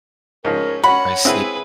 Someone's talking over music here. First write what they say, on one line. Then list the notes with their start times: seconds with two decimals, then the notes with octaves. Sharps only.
I see
0.45 G#2 F3 C#4 A#4
0.84 C#4 F#4 C#5 F#5 B5
1.25 C4 E4 G#4 B4 F#5